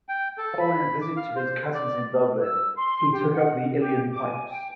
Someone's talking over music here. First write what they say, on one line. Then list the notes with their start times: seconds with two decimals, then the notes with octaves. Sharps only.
Following a visit to his cousins in Dublin he took up uilleann pipes.
0.09 G5
0.38 A4
0.59 B5
1.01 D6
1.16 F5
1.36 C5
1.74 D5
2.40 E6
2.75 C6
3.12 G4
3.32 F#5
3.78 G4
4.12 D6
4.25 G#5
4.48 G5